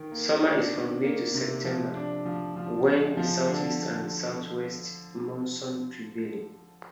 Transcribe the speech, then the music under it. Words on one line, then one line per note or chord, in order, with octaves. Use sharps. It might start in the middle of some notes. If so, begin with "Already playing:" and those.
Summer is from May to September, when the southeast and southwest monsoon prevailing.
Already playing: D#3
A#3
D4
D#3
A#3
C3
F3
D4
F3
F3
G#3
F3
D3